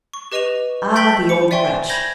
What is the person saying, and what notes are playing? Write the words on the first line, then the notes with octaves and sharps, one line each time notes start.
Ah, the old wretch!
C#6
G4 B4 D#5 C#6 D#7 F7
G5 G6 A6 B6 F#7 G7
C5 C#7
D5 E5 G5 G#5 C6 C#6
B5 G6 G#6 A#6